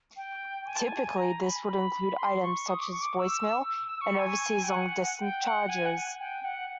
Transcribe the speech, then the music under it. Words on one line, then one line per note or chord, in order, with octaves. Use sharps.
Typically this would include items such as voice mail and overseas long distance charges.
G5
G#5
A5
G#5
A#5
B5
B5
C6
C#6
D#6
D6
C#6
D6
E6
E6
C#6
G#5
G5
F#5
G5
F#5
G#5
F#5
G5
F#5